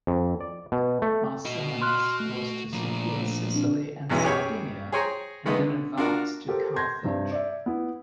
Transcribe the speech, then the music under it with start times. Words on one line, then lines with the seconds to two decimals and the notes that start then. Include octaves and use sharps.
Marcellinus was to secure Sicily and Sardinia and then advance to Carthage.
0.07 F2
0.40 D5
0.72 B2
1.02 A3
1.45 F#4 D#5
1.82 C6 F6 F#6
2.20 A3
2.73 A#2 F3
3.22 A3
3.55 C4 D4
4.10 B1 E2 B2 E3 G#3 C#4
4.23 F#2 G4 G#4 C#5 B5
4.92 G#4 C5 C#5 G5 G#5 A#5
5.46 D#3 G#3 A3 B3 D#4
5.59 D3
5.97 D4 F4 F#4 A#4 F5
6.48 G4 A4 A#4 C5
6.76 C6 G6 G#6 A#6
7.04 G2 C3
7.32 D5 E5
7.66 B3 E4